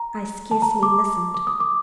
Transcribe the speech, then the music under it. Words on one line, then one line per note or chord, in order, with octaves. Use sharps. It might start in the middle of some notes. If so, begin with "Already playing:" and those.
I scarcely listened.
Already playing: A#5
A5
A#5
D6
D6
D#6
D6